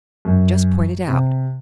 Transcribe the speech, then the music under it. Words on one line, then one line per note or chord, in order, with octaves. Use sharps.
Just point it out.
F#2
C3